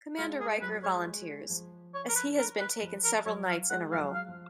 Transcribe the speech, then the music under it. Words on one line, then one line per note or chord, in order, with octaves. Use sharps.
Commander Riker volunteers, as he has been taken several nights in a row.
G#3 F4
G#3 G#4
F#3 B4
F#3
G#3 C#5
G#3
F3
C#5
A#4
B4
A#4
B4
F3
A#4
F#3 C#5
F5
G#3 F#5
F3 F5
F#3
F5
F3